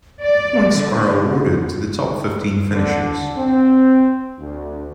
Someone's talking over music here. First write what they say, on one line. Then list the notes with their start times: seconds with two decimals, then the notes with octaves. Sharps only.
Points are awarded to the top fifteen finishers.
0.21 D5
0.72 D3
2.71 D3
3.37 C4
4.39 D2